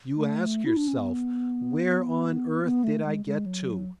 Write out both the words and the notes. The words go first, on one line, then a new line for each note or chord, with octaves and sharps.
You ask yourself, Where on earth did I get to?
A3
E4
D4
C#4
B3
B3
A3
G#3
G#3
F#3